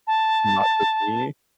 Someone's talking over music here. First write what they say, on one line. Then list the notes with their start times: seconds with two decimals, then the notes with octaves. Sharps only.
not just me."
0.07 A5